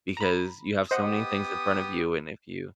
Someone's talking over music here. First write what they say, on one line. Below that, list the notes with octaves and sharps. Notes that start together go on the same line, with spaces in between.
because you have so many things in front of you. and if you
A#5 B5
B3 G4 C5 D#5 F#5 D#6